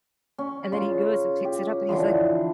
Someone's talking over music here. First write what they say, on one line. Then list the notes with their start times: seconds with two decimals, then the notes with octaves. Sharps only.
and then he goes and picks it up and he's, like,
0.38 C#4
0.72 C#3 F4
1.45 G4
1.89 D3 E3 F3